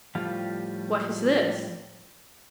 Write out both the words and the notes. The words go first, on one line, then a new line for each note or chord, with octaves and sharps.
What is this?
A2 F3 G3 F4 G4